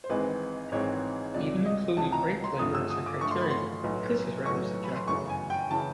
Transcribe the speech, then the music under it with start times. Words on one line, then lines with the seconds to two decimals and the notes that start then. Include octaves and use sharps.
He even included grape flavour as a criterion, but this is rather subjective.
0.04 C5
0.10 G#1 G#2 E3 G#3 C4 B4
0.72 G#1 G#2 E3 G#3 C4 C#5
1.34 C#2 C3 F3 D5
1.65 D#5
1.97 C#2 C3 F3 A5
2.12 A#5
2.44 C6
2.59 G2 D3 F3 A3 D#6
2.75 E6
2.90 D#6
3.06 D6
3.21 G2 D3 F3 A3 C#6
3.31 C6
3.41 B5
3.50 C6
3.83 B1 A2 F#3 B3
4.46 B1 A2 F#3 B3 C#6
4.84 B5
4.96 C6
5.08 G1 F#2 C#3 E3 C#6
5.29 G#5
5.50 G5
5.70 C#3 E3 A5